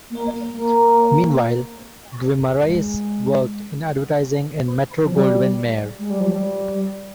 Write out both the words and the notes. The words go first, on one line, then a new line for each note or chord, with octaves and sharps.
Meanwhile, Guimarães worked in advertising in Metro Goldwyn-Mayer.
A#3
A#3
G#3
F3
G3
G#3
G3
F3
G3